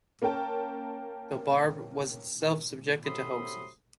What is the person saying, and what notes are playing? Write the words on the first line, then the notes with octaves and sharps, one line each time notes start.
The "Barb" was itself subjected to hoaxes.
A#3 C#4 A#4 G5 A5
C3 F#3 A4 B5 C6 D#6